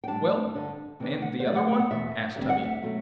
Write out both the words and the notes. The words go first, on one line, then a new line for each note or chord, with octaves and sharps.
'Well, and the other one?' asked Tubby.
G5
A2 G3 D4 A5
G2 D3 G3 D4
D2 C3 E3 B3 D4
F#5
C5
D2 C3 F#3 A3 C4 D5
F#5
G5
F#5
E2 B2 A3 D4 E5
D2 D3 G3 C4 E5
F#5
E5
B2 F#3 A3